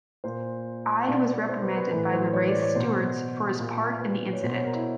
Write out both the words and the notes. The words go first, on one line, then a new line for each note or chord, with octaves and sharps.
Ide was reprimanded by the race stewards for his part in the incident.
A#2 C5
B2 D5
C5
B4
B4
A2 E3 B4
C5
C#5
D5
C#5
B2 C5
A#2
B4
C#5
B2 C5
C#5
A#4
E4